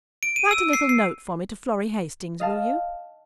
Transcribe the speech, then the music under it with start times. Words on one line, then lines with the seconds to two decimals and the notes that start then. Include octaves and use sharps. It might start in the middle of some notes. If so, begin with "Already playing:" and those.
Write a little note for me to Florrie Hastings, will you?
0.23 D7
0.36 D#7
0.51 E6
0.73 C7
0.89 C7
2.40 D#5 F5 A5 F6